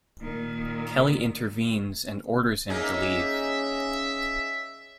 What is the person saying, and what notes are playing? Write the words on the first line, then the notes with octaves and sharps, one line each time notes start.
Kelly intervenes and orders him to leave.
A#2 D#3
A#3 C#4 D#4 G#4 D#5 E5